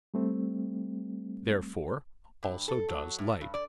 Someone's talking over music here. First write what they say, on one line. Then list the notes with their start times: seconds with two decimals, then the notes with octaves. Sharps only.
Therefore also does light.
0.14 G3 A3 C4
2.43 G2
2.68 A4
2.89 F#3
3.18 A2
3.41 G2
3.54 D5